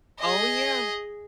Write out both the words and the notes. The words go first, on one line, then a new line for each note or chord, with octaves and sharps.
Oh, yeah.
G#4 D#5